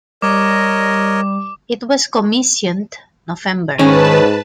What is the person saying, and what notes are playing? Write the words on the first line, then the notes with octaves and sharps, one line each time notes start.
It was commissioned November.
G3 A#4 C#5 D#5 D6
G#2 D#3 C#4 B4 A5